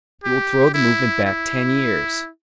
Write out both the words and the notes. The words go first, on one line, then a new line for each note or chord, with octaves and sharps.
It will throw the movement back ten years....
G4
E4
E4